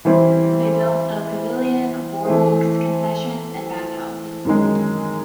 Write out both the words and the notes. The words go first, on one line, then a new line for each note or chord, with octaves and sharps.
They built a pavilion, boardwalks, concessions and bath houses.
E3 G3 C4 E4
E3 A3 C4
F#2 D#3 G#3